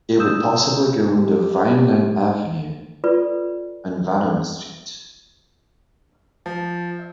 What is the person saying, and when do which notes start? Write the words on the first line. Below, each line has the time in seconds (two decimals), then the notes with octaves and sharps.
It would possibly go under Vineland Avenue and Vanowen Street.
0.19 D#6 E6 G6 E7
1.14 G4
3.04 F4 A4 B4 D5
6.46 F3